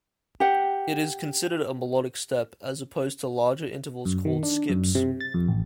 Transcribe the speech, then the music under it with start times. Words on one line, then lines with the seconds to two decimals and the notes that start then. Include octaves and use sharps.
It is considered a melodic step, as opposed to larger intervals called skips.
0.40 G4 F#5
4.05 F#2
4.25 D#3
4.43 D4
4.69 F#2
4.95 C3
5.20 A6
5.34 F2
5.48 A1